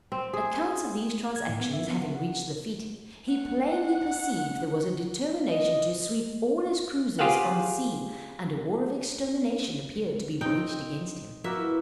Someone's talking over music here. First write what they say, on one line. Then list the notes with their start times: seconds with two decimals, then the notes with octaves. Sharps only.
Accounts of these transactions having reached Lafitte, he plainly perceived there was a determination to sweep all his cruisers from the sea; and a war of extermination appeared to be waged against him.
0.12 C4
0.33 G#4
1.36 G#6
1.49 A2
1.61 B3
1.73 E5
1.88 B3
2.02 F#5
2.15 F#5
3.30 F#5
5.47 D#5
7.19 F4 G4 G#4 C5 F5 F#5
10.41 C4 D#4 G5
11.44 A#3 B3 E4 F#4 E5